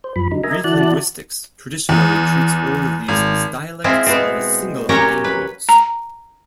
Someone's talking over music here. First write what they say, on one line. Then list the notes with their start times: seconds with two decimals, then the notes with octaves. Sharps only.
Greek linguistics traditionally treats all of these as dialects of a single language.
0.04 C5
0.16 F#2 F3 B5
0.31 D3 F#3 D#4
0.43 A#4 D#5 E5 G#5 A#5
0.64 E3 E4 F#4 D5 A5 F#6
1.89 E2
3.08 G#1
3.84 F3 G#3 C4 E4
4.06 B2 B3 C4
4.89 A#2 F#3 C#4 G4 C#5 A#5
5.24 B4
5.69 A#5